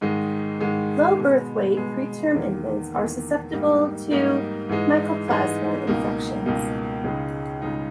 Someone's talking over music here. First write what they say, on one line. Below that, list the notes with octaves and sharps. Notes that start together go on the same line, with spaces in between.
Low birth-weight, preterm infants are susceptible to "Mycoplasma" infections.
G#2 D#3 G#3 D#4
G#2 D#3 G#3 D#4
B2 G#3 B3
B2 G#3 B3
E2 D#3 A#3
E2 D#3 A#3
G#2 G3 A#3 D#4
G#2 G3 A#3 D#4
G#2 E3 G#3 D#4
G#2 E3 G#3 D#4
C#2 B2 A#3 D#4
C#2 B2 A#3 D#4
C#2 C#3 G#3 D#4
C#2 C#3 G#3 D#4